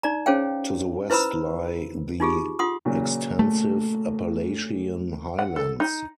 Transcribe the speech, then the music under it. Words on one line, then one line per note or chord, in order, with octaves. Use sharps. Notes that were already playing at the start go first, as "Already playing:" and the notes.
To the west lie the extensive Appalachian highlands.
D#4 D5 A#5
C#4 G#4 C5 C#5 F5 G5
E4 B4 C5 A#5 B5 E6
D#4 F4 G4 G#4
F4 F#5 C6 D#6
A#2 C#3 F#3
A3
F#5
A4
D#4